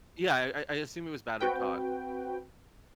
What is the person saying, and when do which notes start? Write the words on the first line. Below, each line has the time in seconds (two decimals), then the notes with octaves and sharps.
Yeah, I I I assume it was battered cod.
1.41 C4 F#4 B4 G5